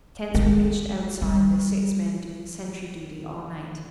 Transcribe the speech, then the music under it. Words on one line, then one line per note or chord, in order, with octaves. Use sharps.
Tents were pitched outside with six men doing sentry duty all night.
G#3
G3